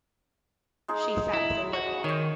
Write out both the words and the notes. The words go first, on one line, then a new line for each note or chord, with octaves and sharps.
She sat as a Liberal.
G#3 D#4 G#4
E4
F#4
D#3 C#5 G5